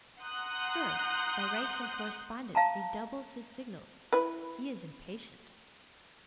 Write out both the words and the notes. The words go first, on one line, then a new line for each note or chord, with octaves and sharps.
"Sir, my right-hand correspondent redoubles his signals; he is impatient."
F#5 A#5 C6 D#6 F#6 G6
F5 A5 A#5
E4 B4